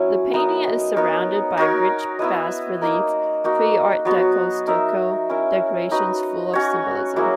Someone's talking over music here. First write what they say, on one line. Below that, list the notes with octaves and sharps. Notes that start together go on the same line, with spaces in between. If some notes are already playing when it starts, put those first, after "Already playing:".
The painting is surrounded by rich bas-relief, pre-art deco stucco decorations full of symbolism.
Already playing: F#3 C#4 E4
B3 D#4 A#4 D#5
B3 D#4 A#4 C#5
D#4 F#4 A#4 C#5
B3 E4 B4 D#5
A#3 D#4 A#4
A#3 D#4 F#4
F#3 B3 F#4
D#4 A#4 E5
C#4 E4 A#4
D#4 F#4 B4
C#4 F#4 C#5
F#3 A#3 E4 G#4